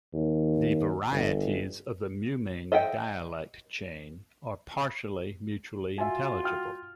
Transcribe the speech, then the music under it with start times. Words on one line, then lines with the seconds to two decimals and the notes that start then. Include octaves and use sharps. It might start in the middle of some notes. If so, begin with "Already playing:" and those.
The varieties of the Mumeng dialect chain are partially mutually intelligible.
0.13 D#2
1.11 G1
2.72 D#5 E5 F#5 G5
5.98 F4 F#4 E5 G#5
6.43 G5 F6